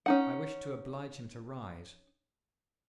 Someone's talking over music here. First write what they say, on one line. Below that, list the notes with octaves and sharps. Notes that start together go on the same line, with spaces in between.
I wished to oblige him to rise.
C#4 D#4 F#5